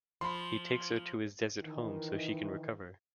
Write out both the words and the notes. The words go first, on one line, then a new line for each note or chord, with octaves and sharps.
He takes her to his desert home so she can recover.
F3 B5 C6
D#3 E3